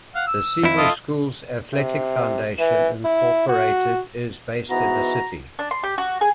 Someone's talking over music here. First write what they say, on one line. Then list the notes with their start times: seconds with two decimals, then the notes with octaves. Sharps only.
The Cebu Schools Athletic Foundation, Incorporated is based in the city.
0.15 F5 F#5
0.27 E6
0.63 F2 E4
0.77 F4 A4 D#5
1.74 C3
2.59 E3
3.04 E4
3.49 F#4
4.70 G#2 E3 B3 F#4 A#5
5.59 D4
5.71 C6
5.83 G4
5.98 F#4
6.21 G#4